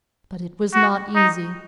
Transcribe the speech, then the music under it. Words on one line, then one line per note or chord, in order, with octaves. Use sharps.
But it was not easy.
F#4
D#4